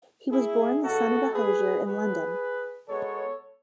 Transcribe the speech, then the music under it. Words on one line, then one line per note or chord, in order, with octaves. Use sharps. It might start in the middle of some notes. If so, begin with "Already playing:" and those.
He was born the son of a hosier in London.
E4 G#4
C#3 G#3 B3 F#4 A4
G#4 B4
A2 F#3 B3 G#4 B4
B2 G#3 B3 A4 C#5